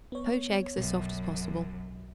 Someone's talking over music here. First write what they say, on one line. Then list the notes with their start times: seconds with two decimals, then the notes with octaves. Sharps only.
Poach eggs as soft as possible.
0.12 B3 C#5
0.78 B1 F#2 B2